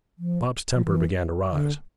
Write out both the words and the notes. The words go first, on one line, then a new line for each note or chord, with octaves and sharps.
Bob's temper began to rise.
F3
F3
E3
D3